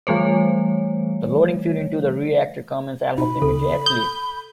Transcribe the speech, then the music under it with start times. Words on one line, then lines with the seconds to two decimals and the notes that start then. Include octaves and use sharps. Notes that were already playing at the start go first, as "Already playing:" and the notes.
The loading fuel into the reactor commenced almost immediately.
0.07 E3 G3 A3 C5 C#5
3.18 B2 D#4 B5
3.42 D2 C#3 A4
3.86 D#6 G6